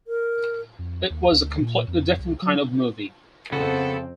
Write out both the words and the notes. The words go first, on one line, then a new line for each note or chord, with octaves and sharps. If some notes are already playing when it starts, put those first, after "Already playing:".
It was a completely different kind of movie.
A#4
F2
D#2
D2
A#2
F2
C2
F#3
F2 C#3 B3 C4 F#4 A4